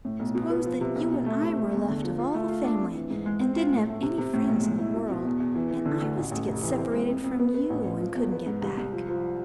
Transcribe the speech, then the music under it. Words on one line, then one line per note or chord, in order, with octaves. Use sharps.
"S'pose that you and I were left of all the family, and didn't have any friends in the world, and I was to get separated from you and couldn't get back?"
A2
B1
B2
B3
F3
C3
B1
B2
A3
C3
A3
E2
D3
F3
F4
A3
F4
D4
F2
E3
G#2
G#3
C4
F4
A2
A3
C3
C3
A2
B1
G#3
E4
B2
B2
E2
E2
E3
E3
D3
D2
A1
A1
F1
E3
C4
G#3
F2
F2
B3
B3
A1
A1
F3
E2
B3
G#2
C2
C2
F3
F3